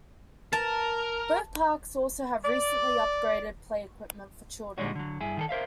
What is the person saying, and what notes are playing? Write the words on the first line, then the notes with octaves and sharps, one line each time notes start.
Both parks also have recently upgraded play equipment for children.
A#4 A5
D5
A#2 D3 G3 G#3 D#4 F#4
D3 F#3
G2 E4 G#4
D#3 G#4 A4
A#4 C5 E5 F5